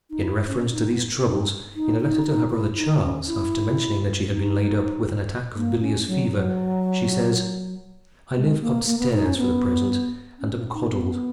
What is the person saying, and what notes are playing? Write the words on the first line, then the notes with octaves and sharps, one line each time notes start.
In reference to these troubles in a letter to her brother Charles, after mentioning that she had been laid up with an attack of bilious fever, she says: 'I live up stairs for the present and am coddled.
D#4
E4
C#4
D#4
B3
D#4
D#4
D#4
D#4
E4
D#4
C#4
E4
D#4
A#3
C#4
F#3
F#3
G#3
A#3
A#3
B3
D#4
C#4
B3
C#4
D#4
B3